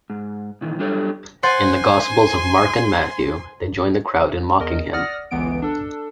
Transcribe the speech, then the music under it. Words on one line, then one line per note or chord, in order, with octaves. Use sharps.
In the Gospels of Mark and Matthew, they join the crowd in mocking him.
G#2
A#2 D#3 E3
F#3 G3 D4 G4 A4 C#5
C5 F#5 G#5 C6 A6
E2 A#4 D#5
D5 F#5 D#6 F6 A#6
G1 C#2 E3 B3 D7
D4 A4